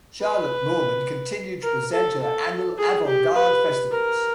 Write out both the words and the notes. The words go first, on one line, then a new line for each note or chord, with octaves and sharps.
Charlotte Moorman continued to present her annual Avant Garde Festivals.
B4
A#4
A4
A4
G#4
G4
B4
A#4